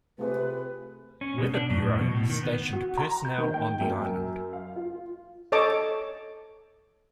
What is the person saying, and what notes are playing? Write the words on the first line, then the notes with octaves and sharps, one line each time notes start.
Weather Bureau stationed personnel on the island.
C3 A3 F4 G#4 B4
C#4
B2
D4
F#2
A2
B2
A2
D#3
B3
F#4
A#5
G6
D#3
G5
F#2
F5
F4
A4 C#5 D#5 A5 D6